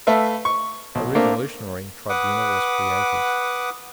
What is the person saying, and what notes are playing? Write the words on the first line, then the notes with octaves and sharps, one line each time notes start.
A revolutionary tribunal was created.
A3 B4 E5 F5
C#6
B1
A3 A#3 C4 D4 A#4
B4 F#5 D6 D#6